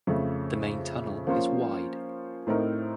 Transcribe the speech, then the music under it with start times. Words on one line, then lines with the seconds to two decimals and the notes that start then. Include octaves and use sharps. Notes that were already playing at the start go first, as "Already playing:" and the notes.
The main tunnel is wide.
0.07 F2 C#3 A3
1.27 F3 A#3 C#4 F4 C5
2.47 A2 A3 C4 D#4 A#4